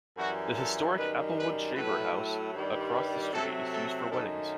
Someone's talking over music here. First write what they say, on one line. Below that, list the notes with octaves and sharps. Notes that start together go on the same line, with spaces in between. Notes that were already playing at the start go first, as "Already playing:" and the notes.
The historic 'Applewood' Shaver House across the street is used for weddings.
F#2 E3 G3 F#4
A4
F#2 D#3 G3 B4
B4
A2 F#3 A3 B4
G2 D#3 G3
B4
C3 F#3 A3 A4
A4
F#2 D#3 F#3 A3 A4